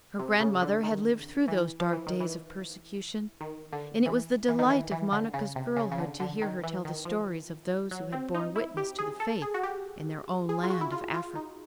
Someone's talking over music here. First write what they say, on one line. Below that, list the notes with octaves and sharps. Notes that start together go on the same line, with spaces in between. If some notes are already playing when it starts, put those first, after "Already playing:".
Her grandmother had lived through those dark days of persecution, and it was the delight of Monica's girlhood to hear her tell the stories of those who had borne witness to the Faith in their own land of Africa.
C3
C#3
D3
D#3
E3
F3
E3
D#3
E3
D#3
D3
E3
E3
D#3
E3
E3
D3
C#3
C3
C#3
C#3
D3
D3
D#3
E3
D#3
F3
F#3
C4
D#4
E4
G4
G#4
A4
G#4
F#4
G4
G#4
F4
F#4
E4
F4
F4
D#4